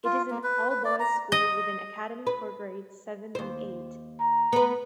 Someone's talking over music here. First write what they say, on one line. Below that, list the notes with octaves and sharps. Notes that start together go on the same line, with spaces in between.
It is an all-boys school with an academy for grades seven and eight.
F4
A#3
B4
B4
D5
A#5
D#5
B4
D#2 C5
A#5
B3 B4